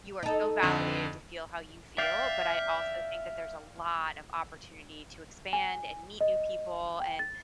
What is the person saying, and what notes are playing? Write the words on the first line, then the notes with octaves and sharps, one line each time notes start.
you are so validated to feel how you feel, but I also think that there's a lot of opportunity to expand and meet new people, and
D#4 A4
F2 D3
D5 E5 F5 G5
G#5
D#5
G5
A6